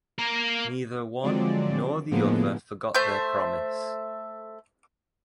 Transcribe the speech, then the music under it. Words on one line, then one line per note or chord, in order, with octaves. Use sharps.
Neither one, nor the other forgot their promise.
A#3 A#4
D3 F3 F#3 G#3 C4 D5
A2 D3 F3 G#3 A#3 B3
A3 C5 E5 G6